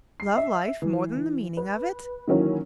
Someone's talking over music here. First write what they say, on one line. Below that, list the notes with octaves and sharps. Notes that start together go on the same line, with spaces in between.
"Love life more than the meaning of it?"
C7
E5
E3
E3
B4
D#3 E3 F#3 A#3 C#4 E4